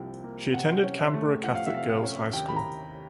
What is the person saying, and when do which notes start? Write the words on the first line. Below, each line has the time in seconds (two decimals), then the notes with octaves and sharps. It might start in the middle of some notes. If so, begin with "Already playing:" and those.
She attended Canberra Catholic Girls' High School.
Already playing: C2 C3 F3 A#3 G5
0.24 A#3
0.54 C3 F#5
0.83 C#4
0.99 E5
1.14 A3
1.44 F3 F#5
1.55 F5
1.66 E5
1.74 C3 F5
1.89 F5
2.03 C#4
2.33 D#2 G5
2.48 B5
2.56 A#5